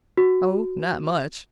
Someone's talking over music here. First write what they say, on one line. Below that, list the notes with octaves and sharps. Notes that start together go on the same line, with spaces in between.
Oh, not much.
F#4